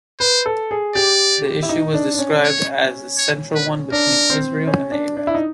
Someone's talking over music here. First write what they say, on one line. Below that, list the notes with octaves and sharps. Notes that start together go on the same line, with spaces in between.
The issue was described as the central one between Israel and the Arabs.
B4 C5
A4
G#4
G4 D5
E4
D#4
D4
D4
C#4
C#5
C#5
B4
D4 A#4
C4
C#4
D4
D4
E4
D#4